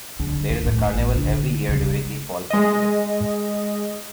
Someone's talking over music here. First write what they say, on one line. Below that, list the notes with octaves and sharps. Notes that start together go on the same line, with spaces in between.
There is a carnival every year during the Fall Festival.
D3
D#3
A2
A1
D3
C#3
G#3 D#5